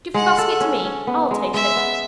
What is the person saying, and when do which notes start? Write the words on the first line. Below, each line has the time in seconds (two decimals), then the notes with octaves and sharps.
'Give the basket to me,--I'll take it.'
0.14 G#3 F#5
0.38 A4
0.61 C#4
0.85 C#4
1.07 B3
1.31 G#3
1.54 G#3 E5
1.76 B3